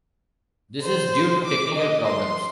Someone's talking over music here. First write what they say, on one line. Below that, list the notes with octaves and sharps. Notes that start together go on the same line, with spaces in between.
This is due to technical problems.
C5
D6
D#5
C6